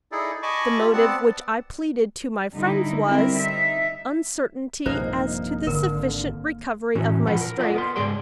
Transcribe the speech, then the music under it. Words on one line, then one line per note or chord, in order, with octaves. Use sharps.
The motive which I pleaded to my friends was--uncertainty as to the sufficient recovery of my strength.
D#4 E4 G#4 A4 D5
D#5 G#5 A5 B5 C#6 D6
F4 G4
B3 C4 D5 F#5 A5
D3 G3 D#4 E4
D3 G3 C4 E4 A#4
D#4 E5
A#1 G2 C3 A#3 D#4 C5
G#1 D3 A#4
A2 E3 C#4 F#4
A#2 F3 B4 F#5
A#4
F4 A4 D5 D#5 F#5
B3 A#4 C6
C#2 G#2 G#3 G#4 D5 C6